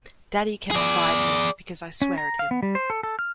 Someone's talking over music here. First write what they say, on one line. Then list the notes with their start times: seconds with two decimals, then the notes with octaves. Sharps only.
Daddy cannot bide me, because I swear at him.
0.71 G#4 D5
2.02 C#4
2.18 A#5
2.39 F5
2.51 B3
2.63 G3
2.75 C5
2.90 A4
3.03 A4
3.19 F6